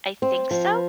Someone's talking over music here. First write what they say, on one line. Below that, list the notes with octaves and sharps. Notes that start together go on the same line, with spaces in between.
I think so?
C4
F3